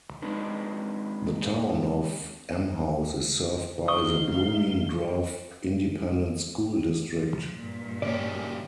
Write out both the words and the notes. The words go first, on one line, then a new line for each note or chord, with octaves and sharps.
The Town of Emhouse is served by the Blooming Grove Independent School District.
G#3 C4 D4 D#4 B4
D#4 F5 C#6 D#6 G7
F3
G2 A#2
C#3 A#3 G4 C#5 D5